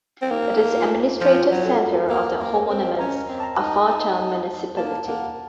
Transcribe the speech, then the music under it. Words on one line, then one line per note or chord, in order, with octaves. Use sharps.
It is the administrative centre of the homonymous Alfatar Municipality.
C4
A#3 D#4
F4
F3 F4
F#4
F#3
A4
A#4
A#3 A#4
A#4
A#3
C#5
C4
D#5
C#4 A#5
C4
A5
A#5
D#4
A5
A#3 A5
A#3 F#5